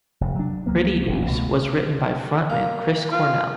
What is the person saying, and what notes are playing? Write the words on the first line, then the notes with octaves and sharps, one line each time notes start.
"Pretty Noose" was written by frontman Chris Cornell.
F1 G2
F#3 D4
C#2 F#3 A#3 B3
D#1 A1
C#2 B2 F#3 A3
A#3
F4